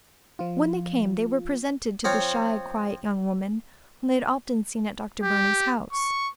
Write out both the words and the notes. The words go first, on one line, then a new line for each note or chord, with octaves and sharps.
When they came they were presented to the shy, quiet young woman whom they had often seen at Dr. Burney's house.
F3 F4
F3 C4 C#5 F5
G4
C#6